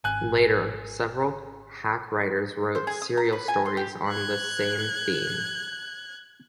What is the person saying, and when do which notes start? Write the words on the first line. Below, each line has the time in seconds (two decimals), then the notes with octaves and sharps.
Later, several hack writers wrote serial stories on the same theme.
0.04 G#1 G#5 F#6
2.75 C5
2.87 G#4
3.02 D#6
3.17 A#5
3.33 B4
3.48 G#5
3.65 C6
3.77 G4
4.08 F#6 G#6